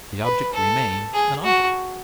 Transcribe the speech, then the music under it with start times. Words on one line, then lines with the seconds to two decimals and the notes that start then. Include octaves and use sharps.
The object remained an object.
0.24 B4
0.53 A4
1.14 G#4
1.44 F#4